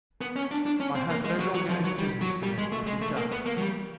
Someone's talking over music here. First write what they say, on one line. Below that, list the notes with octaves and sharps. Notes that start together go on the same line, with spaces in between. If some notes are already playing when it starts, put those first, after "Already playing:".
I have no longer any business here; it is done.
B3
C#4
D4
D4
C#4
C4
A#3
G#3
F#3
F#3
F3
F#3
G3
F#3
G3
G#3
A3
G#3
A3
A#3
B3
A#3
F#3
G3